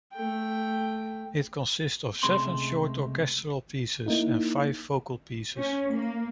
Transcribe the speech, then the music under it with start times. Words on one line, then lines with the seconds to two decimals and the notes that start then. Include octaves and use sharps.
It consists of seven short orchestral pieces, and five vocal pieces.
0.13 A3 G5
2.23 C#2 C3 G#3 A3 C4 C6
4.06 A#3 D#4 E4
5.57 C#4
5.91 A#3